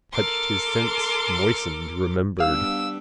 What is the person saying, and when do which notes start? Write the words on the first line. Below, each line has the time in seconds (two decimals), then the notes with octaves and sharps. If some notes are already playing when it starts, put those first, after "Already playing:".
Touched his sense moistened remembered.
0.11 A4 A#4 C6 D6
2.40 G3 B3 D4 F5 E6